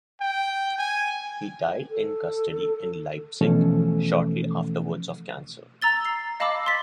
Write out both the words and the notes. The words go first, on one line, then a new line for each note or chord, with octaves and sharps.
He died in custody in Leipzig shortly afterwards of cancer.
G5
G#5
A4
B2 E3 F3 A3 C#4 A4
A#5 E6 A6 G7
C7
D#5 F5 A5 B5 D6 E6
C6 A6 B6